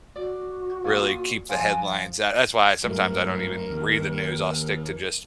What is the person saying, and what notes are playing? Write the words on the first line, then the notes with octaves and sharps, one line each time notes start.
really keep the headlines at that's why sometimes I don't even read the news. I'll stick to just
F#4 D5
A#2 G#5 D#6
F3 G#5
G2 F#3 A3 A#4
D#2